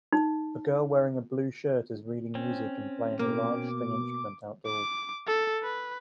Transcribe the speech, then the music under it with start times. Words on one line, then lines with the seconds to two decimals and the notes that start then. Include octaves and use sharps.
A girl wearing a blue shirt is reading music and playing a large string instrument outdoors.
0.12 D#4
2.35 C4 C#4
3.19 B2 A#3 D6
4.66 D6
5.27 A4
5.63 B4